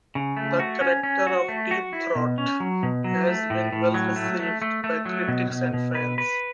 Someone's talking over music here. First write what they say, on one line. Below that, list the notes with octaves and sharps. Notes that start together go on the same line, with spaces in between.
The character of Deep Throat has been well received by critics and fans.
C#3
A3
F#4
C#4
C#4
F#4
A3
F#4
E4
B2
C#4
F#3
B2
F#3
A3
A2
A2
F#3
A3
A3
A3
A3
F#3
B2
B2
B2
B4
B4